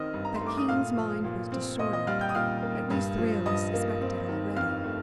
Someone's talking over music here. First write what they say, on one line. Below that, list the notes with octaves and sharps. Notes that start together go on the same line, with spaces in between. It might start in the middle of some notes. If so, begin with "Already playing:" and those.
That Keene's mind was disordered at least three of us suspected already.
Already playing: D#3 C4 D#5 D#6 F6
G2
A#5
C6
A3
D6
D#6
A#2 F5 F6
F3
A#2
C4
A#2 D#5 D#6
D#5 D#6
G3 F5 F6
G5 G6
D#6
A#2 F5 F6
A#3
G2
F3
G2 D#5 D#6
A#3
C4
D#3
F2 F5 F6
A3